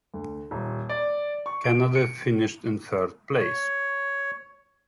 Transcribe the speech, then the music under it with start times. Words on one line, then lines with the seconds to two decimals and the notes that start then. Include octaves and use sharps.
Canada finished in third place.
0.14 D2
0.51 D#1
0.89 D5
1.46 C#6
1.64 D7
1.95 C#7
3.39 C#5